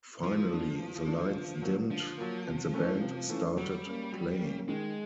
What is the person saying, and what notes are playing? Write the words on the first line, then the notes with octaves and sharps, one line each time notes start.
Finally, the lights dimmed and the band started playing.
E3 F3
A3 D4
E3
A3 D4
D3
F#3 A#3
D3 F3
F#3 A#3
C3
E3 A3 C#4
C3
E3 A3 C#4
F#3 G3
A#3 C#4
F#3
A#3 C#4
D#3 G#3